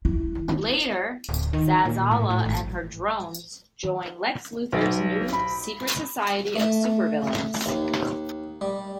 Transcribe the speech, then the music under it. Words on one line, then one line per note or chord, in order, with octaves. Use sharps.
Later, Zazzala and her drones join Lex Luthor's new Secret Society of Super Villains.
E4
D1
D#3
A#2
A2
A2
G#1
B1
B5
A3
D#2
G3